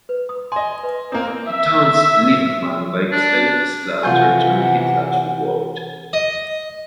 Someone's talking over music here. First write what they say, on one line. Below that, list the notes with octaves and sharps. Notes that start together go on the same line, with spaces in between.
He taunts Lieberman by explaining his plan to return Hitler to the world.
B4
D#6
D#5 G#5 C6
B4
A#3 C4 C#4 E4 D#6
E5
D4
C3 E3 F4 C5 F#5 G#5 C#6 G6
D#5